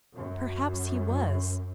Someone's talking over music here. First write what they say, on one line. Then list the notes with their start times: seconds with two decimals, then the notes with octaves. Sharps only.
'Perhaps he was.
0.15 F#2